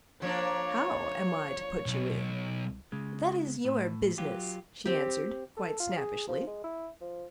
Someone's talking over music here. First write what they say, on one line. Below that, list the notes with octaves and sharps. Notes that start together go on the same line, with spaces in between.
"How am I to put you in?" "That is your business," she answered, quite snappishly.
F3 A#3 D4 C#5
B1
C#3 G#3
A2
F#3 F4 G4
C4 G4
A4
F4
G#4
F3
G#3
E4
F3